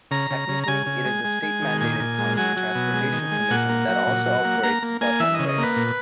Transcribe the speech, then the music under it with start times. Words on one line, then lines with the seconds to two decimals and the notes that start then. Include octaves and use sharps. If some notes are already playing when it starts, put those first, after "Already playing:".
Technically it is a state-mandated county transportation commission that also operates bus and rail.
0.11 C#3 A#5
0.31 C#3
0.49 C#3
0.64 A#5
0.68 C#3 G#5
0.86 C#3
1.05 G#3
1.24 G#3
1.43 G#3
1.62 D#3
1.81 A#2 G#5
2.00 A#2
2.19 G#3
2.37 F#3 G#5
2.57 F#3
2.75 B2
2.94 G#3
3.13 D#3
3.31 G#3
3.50 A#2 F#5
3.69 A#3
3.88 F#3
4.07 A#2
4.26 F#3
4.44 A#3
4.63 A#3 A#5
4.83 A#3
5.01 A#3 G#5
5.20 E3 E5
5.34 C#3 D#5
5.49 D#5
5.58 A#3 B4
5.76 A#2